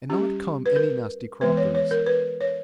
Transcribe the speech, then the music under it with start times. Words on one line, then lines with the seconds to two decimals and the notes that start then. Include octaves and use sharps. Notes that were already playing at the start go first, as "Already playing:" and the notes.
"And not come any nasty croppers."
0.10 G3 C#4 G4
0.66 B4
0.76 A#4
1.41 E3 G#3 B3 B4
1.57 C#5
1.75 C#5
1.91 A#4
2.06 B4
2.41 C#5